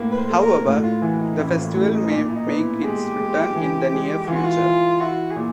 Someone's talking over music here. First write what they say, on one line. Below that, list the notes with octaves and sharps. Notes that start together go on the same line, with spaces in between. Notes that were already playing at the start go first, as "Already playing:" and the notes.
However, the festival may make its return in the near future.
Already playing: A2 A#3
B4
C5
A#3
A#4
A2 F#4
F4
E3 F#4
D#4
A1 E4
F4
A2 E4
D#4
A#2 D4
E4
D#4
B3
E4
G#3 G4
G#3
E3
G#3
E3 F4
F#4
F4
E3
E4 F#4
G#4
A#2